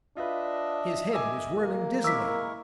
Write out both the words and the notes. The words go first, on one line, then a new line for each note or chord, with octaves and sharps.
His head was whirling dizzily.
D4 F4 B4 D#5 E5
G#5 D6 E6
A#3
G#3 E4 A#4 C#6 D6 E6 B6